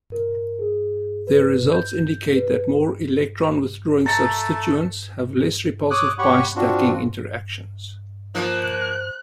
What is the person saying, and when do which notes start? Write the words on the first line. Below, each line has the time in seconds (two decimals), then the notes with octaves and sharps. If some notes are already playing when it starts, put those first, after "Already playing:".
Their results indicate that more electron-withdrawing substituents have less repulsive pi stacking interactions.
0.12 A#4
0.59 G#4
1.27 B4
1.72 G6
2.35 B4
4.06 A3 A4 A#5 A6 C#7
5.91 C#5 D6 D#6 F#6
6.19 G4 C#5 F#5 B5 C#6
6.56 C4 D4 F4 F#4
8.35 F3 A#3 C5 F#6